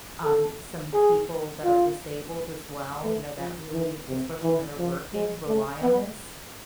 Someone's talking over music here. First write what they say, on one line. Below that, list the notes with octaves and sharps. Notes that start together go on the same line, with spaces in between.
um, some people that are disabled as well, you know, that really, especially when they're working, rely on this?
A4
G#4
F4
A3
F3
E3
C3
E3
F3
G#3
A3
B3